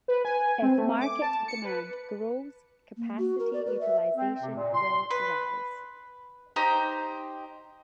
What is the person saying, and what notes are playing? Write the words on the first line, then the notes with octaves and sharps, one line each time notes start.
If market demand grows, capacity utilization will rise.
B4
G#5
C4
A3
D6
A5
C#7
B4
A#3
F#4
A#4
D5
B4
E5
C4
C3
A#2
C6
B4
D#4 G4 C5 A#5